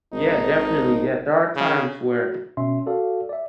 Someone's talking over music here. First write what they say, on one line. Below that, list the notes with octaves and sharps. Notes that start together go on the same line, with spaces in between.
Yeah, definitely. Yeah, there are times where
G#1 D#4
C#3
F#4
B2 C#4 E5 C6
F#4 A4 D5 F5
D5 E5